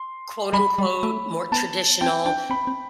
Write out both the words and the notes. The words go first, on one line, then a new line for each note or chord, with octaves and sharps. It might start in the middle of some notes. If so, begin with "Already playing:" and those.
quote, unquote, more traditional,
Already playing: C6
G3 B5
G3
A3
B3 A5
C4 G5
D4 G5
C4 B5
C4